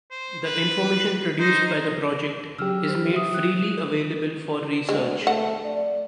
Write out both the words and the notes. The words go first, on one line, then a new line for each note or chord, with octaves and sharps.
The information produced by the project is made freely available for research.
C5
B4
D#4 C5
C#3 F#3 G4 E6 F6
C5
E5 D#6
F#6
D2 G#3
A3 F#5
D5